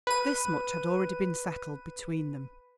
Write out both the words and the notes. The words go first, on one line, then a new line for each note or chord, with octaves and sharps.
This much had already been settled between them.
B4 D#7